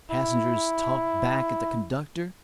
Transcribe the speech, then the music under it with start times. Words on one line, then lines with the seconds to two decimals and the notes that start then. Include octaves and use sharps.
Passengers talk back at the conductor.
0.11 E4